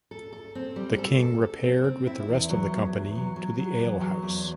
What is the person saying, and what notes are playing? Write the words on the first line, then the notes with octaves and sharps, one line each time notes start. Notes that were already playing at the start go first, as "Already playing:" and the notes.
The king repaired with the rest of the company to the alehouse.
A4
A4
C4
G3
A4
A4
A4
C4
C4
E4
E2
F#3
E2
E2
F#3
F#3
F#3
E2
F#3
E2